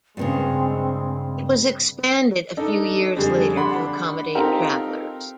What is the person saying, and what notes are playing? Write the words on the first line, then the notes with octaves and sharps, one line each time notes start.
It was expanded a few years later to accommodate travelers.
G2 A#2 C#3 G#3 C4
D4 D#4 A4
F2 D3 G3 G#4
D4 F#5 B5 C6
C4 D#4 F4 G4 A4 A#4